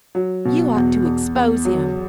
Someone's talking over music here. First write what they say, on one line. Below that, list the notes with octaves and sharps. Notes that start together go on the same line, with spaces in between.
"You ought to expose him."
F#3
B2
E2
E2
E2
F#3